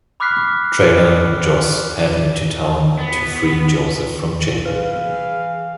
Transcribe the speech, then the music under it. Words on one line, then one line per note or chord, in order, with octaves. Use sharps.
Traylor and Joss head into town to free Joseph from jail.
B5 D6 F6 F#6 B6 C7
B3
E3 G#4 B4 F5